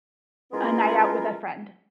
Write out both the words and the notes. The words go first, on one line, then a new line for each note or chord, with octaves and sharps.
a night out with a friend.
G#3 B3 C#4 E4 F4 A#4